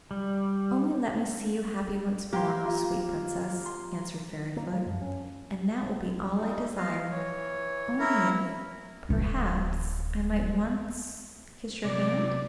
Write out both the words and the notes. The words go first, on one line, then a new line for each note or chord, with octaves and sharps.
"Only let me see you happy once more, most sweet Princess," answered Fairyfoot, "and that will be all I desire--only if, perhaps, I might once--kiss your hand."
G3
A#3 G4 C6
F4
C6
A#3
F3
F#2
C#4
G3 G#3 D#4
F4 D#5 F5
E3 C#5
E4 A#4
D1 E3
C3 F#3 D5 D6